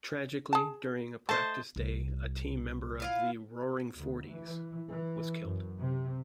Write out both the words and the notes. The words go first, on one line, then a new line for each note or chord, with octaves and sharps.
Tragically during a practice day a team member of the "Roaring Forties" was killed.
G#4 A5
A3 C5 D#5 A5
C2
E4 F4 F5
D2
E3
E3
F#2
C3